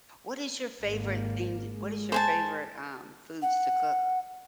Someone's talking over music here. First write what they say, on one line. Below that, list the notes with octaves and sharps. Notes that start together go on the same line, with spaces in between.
What is your favorite thing to what is your favorite, um, foods to cook?
G#1 A#3
G#3
C5 G#5 A5
F#5